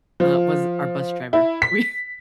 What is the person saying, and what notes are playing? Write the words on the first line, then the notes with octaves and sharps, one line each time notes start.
uh, was our bus driver. We
F3
E4
B6